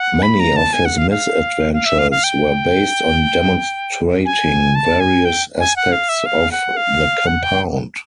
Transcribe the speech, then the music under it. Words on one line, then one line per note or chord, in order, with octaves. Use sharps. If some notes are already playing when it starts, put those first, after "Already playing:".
Many of his misadventures were based on demonstrating various aspects of the compound.
Already playing: F#5
B5
A#5
A5
G#5
F#5
F5
F5
F5
E5
F5
F5
G5
G#5
A5
G#5
G5
G#5
F#5
F5
E5
F5
F#5
F5
F#5
G5